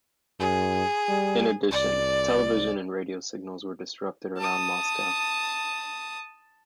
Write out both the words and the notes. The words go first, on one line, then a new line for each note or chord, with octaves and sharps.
In addition, television and radio signals were disrupted around Moscow.
F#2 G#4
G3
C2 D5
A5 D#6